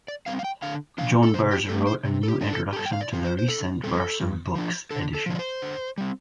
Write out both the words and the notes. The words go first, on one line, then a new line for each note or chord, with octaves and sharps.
John Berger wrote a new introduction to the recent Verso Books edition.
D5
G3 C4 F5
F5
G5
D3 F5
F3 D4 F5
A4
C3 C5
G4
A3 C4 A4
C5
C3
A4
G4
A3 D4
A4
G4
G2 A4
G5
F5
D5
F3 C4
C5
C5
D3 A4
G3 C4 A4
G2
F3 D4
D3 A4
A4
F3 D4
D5
C5
D3
G3 C4